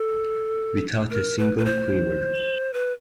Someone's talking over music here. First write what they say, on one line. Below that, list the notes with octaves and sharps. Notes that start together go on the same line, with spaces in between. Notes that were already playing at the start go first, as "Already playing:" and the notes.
Without a single quiver.
Already playing: A4
A#4
B4
B4
C5
B4